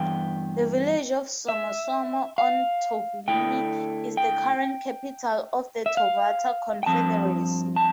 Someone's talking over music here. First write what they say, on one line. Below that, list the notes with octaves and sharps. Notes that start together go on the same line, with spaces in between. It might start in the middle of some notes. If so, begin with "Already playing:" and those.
The village of Somosomo on Taveuni is the current capital of the Tovata Confederacy.
Already playing: G2 E3 B3 G5
E5
F5
D3 A3 E4 G5
G5
E5
F5
G5
G2 F3 C4 A5
A5